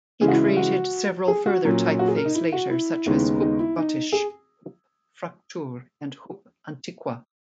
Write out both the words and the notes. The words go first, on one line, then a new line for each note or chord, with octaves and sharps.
He created several further typeface later, such as "Hupp-Gotisch", "Hupp-Fraktur", and "Hupp-Antiqua".
C#3 E3 G#3 G#4
F#4
E4
E4
F#4
G#4
F#4
A#2 F#3 C#4
F#4
G#4
A#4
D#4
E4
F#4
E4
D#2 C#3 G#3 B3 D#4
D#4
E4
D#4
G#4